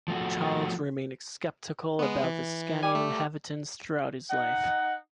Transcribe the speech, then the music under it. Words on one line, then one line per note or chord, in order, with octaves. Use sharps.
Charles remained sceptical about the Scanian inhabitants throughout his life.
F3 A3 F#4
G#3 B3
E3
G3 D5 G#5
A3
D#4 F#5